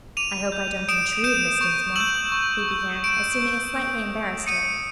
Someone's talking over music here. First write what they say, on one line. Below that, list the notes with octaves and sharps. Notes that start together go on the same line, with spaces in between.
"I hope I don't intrude, Miss Dinsmore," he began, assuming a slightly embarrassed air.
D6 D#7 F7
G6
D#6 D7 E7
G6 D7 E7
C#6
E6 G6 E7 F#7
C#6
E6 G6
C#6 D7 E7
E6 G6
D#6
G6
D#6 C#7 D#7